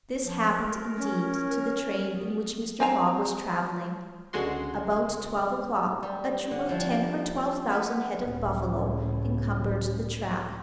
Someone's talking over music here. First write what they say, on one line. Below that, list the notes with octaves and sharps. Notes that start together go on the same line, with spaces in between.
This happened, indeed, to the train in which Mr. Fogg was travelling. About twelve o'clock a troop of ten or twelve thousand head of buffalo encumbered the track.
F3
A#4
C#4
A#4
B3
C4 G#5 A#5
C#2 D3 G#3 F#4 C6
G3
D3
F3 G3 E4
B4 E5 F#5
C#2 A2